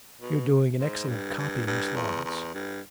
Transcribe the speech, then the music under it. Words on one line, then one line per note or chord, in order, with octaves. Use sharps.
'You're doing an excellent copy, Miss Laurence.'
B2
G#2
G2
G2
G2
E2
E2
G2